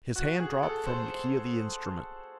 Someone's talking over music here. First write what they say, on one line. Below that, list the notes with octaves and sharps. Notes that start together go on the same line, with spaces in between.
His hand dropped from the key of the instrument.
F#4
G#4
A4
C5